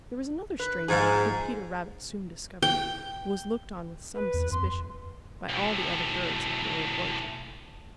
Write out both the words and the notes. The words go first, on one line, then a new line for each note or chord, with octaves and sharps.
There was another stranger who, Peter Rabbit soon discovered, was looked on with some suspicion by all the other birds of the Old Orchard.
B4
G#2 F3 G#4
G5
B4
E2
F2 C6
B1 A2